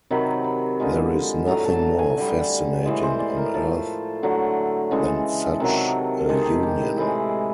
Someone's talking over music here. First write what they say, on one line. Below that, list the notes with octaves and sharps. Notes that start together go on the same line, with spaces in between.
There is nothing more fascinating on earth than such a union.
C3 D#3 F#3 B5
B5
D3 F3 G#3
A2 F#3 A3 A#5
A5
A#5
G#5
D3 G3
A2 E3 G#3 E5
C5
D5
A#4
A2 F3 A3 A4
D3 F#3 A3
C#3 E3 G#3 A4
C3 D#3 F#3
A#4
C3 D#3 G#3 A4
G4 G#4
G4
E4
A2 E3 G#3 E4